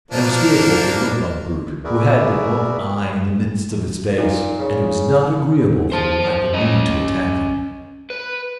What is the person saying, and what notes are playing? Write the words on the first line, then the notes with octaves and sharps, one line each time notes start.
And it was fearful to look on the brute, who had but one eye in the midst of his face; and it was not agreeable for the like of me to attack him.
F3 A#3 D4
F#4 G#4 A#4 B4 D5 E5
A#2 D#4
C#3
C5 A5
C#4 D#5
B4